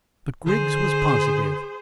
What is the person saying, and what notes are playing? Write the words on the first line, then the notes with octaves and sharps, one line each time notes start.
But Griggs was positive.
D3 G#4 C5